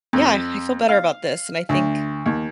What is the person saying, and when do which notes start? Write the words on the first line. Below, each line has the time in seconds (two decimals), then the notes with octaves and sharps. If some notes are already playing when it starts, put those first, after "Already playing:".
yeah, I feel better about this, and I think
0.13 F2
0.89 F5
1.69 D2
2.26 D#2